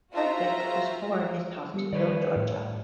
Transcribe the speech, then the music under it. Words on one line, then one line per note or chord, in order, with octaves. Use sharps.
Hardwick was born in Thomasville, Georgia.
F4 F#4 G#4 C5 E5 A#5
G3 G4 C#7
D#3 B4 C#5 D5
A2